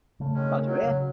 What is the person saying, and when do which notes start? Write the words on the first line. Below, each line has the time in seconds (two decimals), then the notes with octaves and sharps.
Glad you're here.
0.20 C#3 A3
0.34 D#3 G#3 C#4
0.66 F#3
0.83 C#3